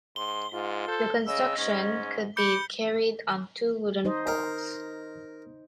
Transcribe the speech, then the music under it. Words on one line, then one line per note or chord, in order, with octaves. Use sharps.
The construction could be carried on two wooden poles.
G#2 C6 G7
G#2 F4
A4 C5
C#3 D#5 E6
G#2 C#4
B5 D6 G6 C#7 G7
D#4 C5 D#5
A#4